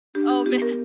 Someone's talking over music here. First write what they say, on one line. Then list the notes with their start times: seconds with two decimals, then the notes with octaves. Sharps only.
Oh, man.
0.15 D4 G4
0.30 G4
0.46 B3 G4
0.62 A#4